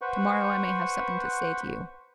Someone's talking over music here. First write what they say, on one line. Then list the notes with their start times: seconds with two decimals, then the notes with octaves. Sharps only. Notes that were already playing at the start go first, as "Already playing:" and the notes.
To-morrow I may have something to say to you....
0.02 B4 C5 F#5 C#6